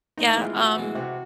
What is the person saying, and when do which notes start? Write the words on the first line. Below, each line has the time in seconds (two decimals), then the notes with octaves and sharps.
Yeah, um
0.18 A2 D#4
0.30 E4
0.36 E3 G#3
0.43 F4
0.56 A2 F#4
0.76 E3 G#3
0.95 C3 F#4